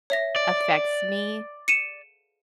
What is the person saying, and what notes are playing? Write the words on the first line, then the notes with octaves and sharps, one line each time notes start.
affects me,
C#5 E5 A#6
D5
C#7 D#7 E7